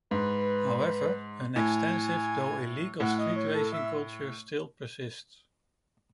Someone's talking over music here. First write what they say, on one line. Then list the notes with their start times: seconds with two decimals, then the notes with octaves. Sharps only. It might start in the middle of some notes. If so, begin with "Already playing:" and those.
However, an extensive though illegal street racing culture still persists.
0.11 G#2 B4
1.55 A2 G#5
3.00 A2 F#5
3.18 D#5
3.36 C#5
3.54 A4
3.73 E5